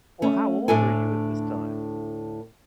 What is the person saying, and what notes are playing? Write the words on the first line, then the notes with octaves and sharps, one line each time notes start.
Well, how old were you at this time?
A3 C#4
D2 A2 D4 A4 G#5